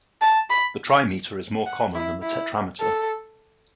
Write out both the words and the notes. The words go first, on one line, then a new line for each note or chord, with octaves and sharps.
The trimeter is more common than the tetrameter.
A5
B5
F#5
E4
E4
A4